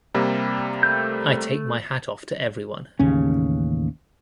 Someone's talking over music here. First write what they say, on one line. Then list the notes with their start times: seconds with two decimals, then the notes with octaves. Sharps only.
I take my hat off to everyone.
0.14 C3 G3 A#3
0.83 A3 G6
2.99 A1 D#2 C#3 C#4